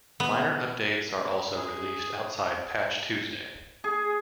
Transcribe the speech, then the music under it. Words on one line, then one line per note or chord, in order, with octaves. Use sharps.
Minor updates are also released outside Patch Tuesday.
B3
G#4
G#4